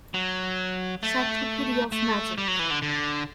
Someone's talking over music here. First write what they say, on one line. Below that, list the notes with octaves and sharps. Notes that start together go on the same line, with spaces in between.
Cyclopedia of Magic.
F#3
A3
A3
G3
F#3
E3
D3
D3